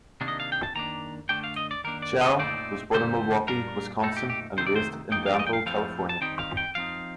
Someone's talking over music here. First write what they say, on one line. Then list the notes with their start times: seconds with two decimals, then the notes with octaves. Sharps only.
Chiao was born in Milwaukee, Wisconsin and raised in Danville, California.
0.21 C3 D#3 A#3 D4
0.28 D#5
0.40 F5
0.52 G5
0.63 A5
0.75 D#3 A#3 D4 A#5
1.29 D3 A3 D4 G5
1.44 F5
1.56 D#5
1.71 D5
1.84 D#3 A#3 D4 A#4
2.02 D5
2.21 D#5
2.39 A#2 A3 C4 D#4 D5
2.94 D3 G3 C4 C5
3.48 A#2 G3 D4 A#4
4.03 A#2 A3 D#4 A4
4.17 G4
4.30 G4
4.57 C3 D#3 A3 C5
4.67 D5
4.76 C5
5.12 F3 A#3 D#4 G5
5.26 F5
5.34 D5
5.39 D#5
5.47 G5
5.53 F5
5.66 A2 F3 A3 C4 F5
6.09 A5
6.21 D#3 G3 C4 D#4 G5
6.39 F5
6.57 G5
6.75 F3 C4 D#4 F5